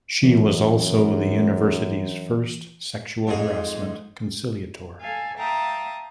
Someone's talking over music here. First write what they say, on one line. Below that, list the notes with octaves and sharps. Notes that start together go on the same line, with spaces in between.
She was also the university’s first sexual harassment conciliator.
F#2 E3
F2 G#2 G#4
A4 F5 G#5
E5 F5 G5 A5 A#5 D#6